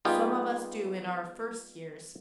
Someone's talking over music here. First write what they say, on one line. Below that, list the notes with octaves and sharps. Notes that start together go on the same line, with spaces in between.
'Some of us do in our first years.
G3 B3 D#4 F4 G4 G#4